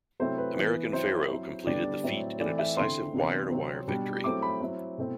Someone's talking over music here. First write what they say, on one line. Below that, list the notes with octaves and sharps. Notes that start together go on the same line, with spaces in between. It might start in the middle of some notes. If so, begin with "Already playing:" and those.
American Pharoah completed the feat in a decisive wire to wire victory.
C3 F#3 A3 C4 E4 C5
B4
E3 B3 E4
F#3 C4 E4 C5
F#3 C4 E4
D3 G3 B3 D4 D5
A2 F#3 C4 E4
E3 A3 C4 E4 D5
E5
D3 A3 C4 E4 C6
C3 E3 B3 D4
C3 F#3 C4
B2 G3 D4
F#3 A3 C4 E4 D6
B5
F#3 C4 E4
B2 A3 C4 E4